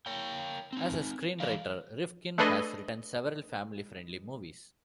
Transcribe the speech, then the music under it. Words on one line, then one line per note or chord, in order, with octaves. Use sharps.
As a screenwriter, Rifkin has written several family-friendly movies.
A#4 C#5 G5
C4 D#4
E3 F#3 G#3 D5 F5
A3 D4 G#4 A4 B4 D#5